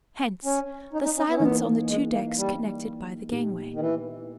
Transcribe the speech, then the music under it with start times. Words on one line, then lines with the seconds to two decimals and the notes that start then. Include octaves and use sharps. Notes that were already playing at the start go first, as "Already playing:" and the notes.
Hence the silence on the two decks connected by the gangway.
0.45 C#4
0.93 D#4
1.05 D#4
1.17 C#4
1.28 B3
1.36 C#4
1.40 E3 A#3 B3 D#4
1.89 G#3
2.12 A#3
2.37 G3
3.32 A#2 G#3 B3 D#4 G4
3.74 D#3
3.80 E3